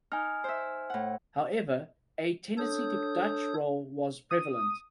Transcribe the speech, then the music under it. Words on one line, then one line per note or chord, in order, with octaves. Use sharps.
However, a tendency to "dutch roll" was prevalent.
D#4 G#5 F6
C5 E5
A2 F#5
D4 A4 C#5 D#6 G6
D#6